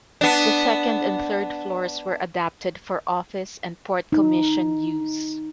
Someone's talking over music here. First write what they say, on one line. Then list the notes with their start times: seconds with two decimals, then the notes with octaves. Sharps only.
The second and third floors were adapted for office and Port Commission use.
0.21 B3 D4
4.12 D#4